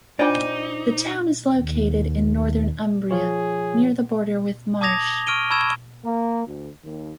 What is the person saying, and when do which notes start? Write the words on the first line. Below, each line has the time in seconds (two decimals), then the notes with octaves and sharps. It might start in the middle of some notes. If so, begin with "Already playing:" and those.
The town is located in northern Umbria, near the border with Marche.
0.19 D4 D#4 F4 C5 D5 G5 G#5 D6
1.54 D#2
3.11 F3 F4 G#4 C#5
4.81 A5 D6 D#6 G#6 A#6 F7
5.26 C#6 F6 D7 D#7 G7
5.50 A5 B5 C#6 E6 G#6 E7
6.05 A#3
6.48 D2
6.84 D#2